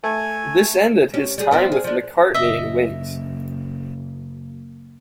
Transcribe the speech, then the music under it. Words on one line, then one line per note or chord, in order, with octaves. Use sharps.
This ended his time with McCartney and Wings.
A3 G#5
C#4 G4
G3 G#4
B3 C4 F4
G#4
F3 D4
F#1 D#5 E5